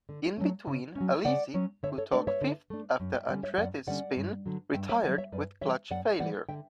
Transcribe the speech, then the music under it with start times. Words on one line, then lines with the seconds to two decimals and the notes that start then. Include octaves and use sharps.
In between, Alesi, who took fifth after Andretti's spin retired with clutch failure.
0.09 D3
0.38 F#3 A3 C#4
0.67 C#3
0.96 F#3 C#4
1.25 C#3 D5 F#5
1.54 F#3 C#4
1.83 D3 C#5 E5
1.98 A4 C#5
2.12 A3 D4 B4 D5
2.27 C#5 E5
2.41 D3
2.70 A3 D4
3.00 F#2
3.14 E5 G5
3.29 D3 G3 C#4 D5 F#5
3.43 C#5 E5
3.58 F#2 D5 F#5
3.87 D3 G3 C#4 D5 F#5
4.16 G2
4.46 D3 F#3
4.74 G2 E5 G5
4.89 C#5 E5
5.03 D3 D5 F#5
5.07 F#3
5.18 C#5 E5
5.32 F#2 B4 D5
5.61 E3 G3 C#5 E5
5.90 F#2 D5 F#5
6.20 E3 G3 D5 F#5
6.49 D3 E5 G5